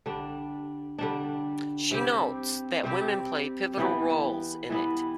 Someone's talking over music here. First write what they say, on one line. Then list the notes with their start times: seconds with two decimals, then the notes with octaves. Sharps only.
She notes that women play pivotal roles in it.
0.06 D3 G3 D4
0.98 D3 G3 D4
1.91 C3 G3 C4 G4
2.84 C3 G3 C4 G4
3.77 E3 G3 B3 E4
4.70 E3 G3 B3 E4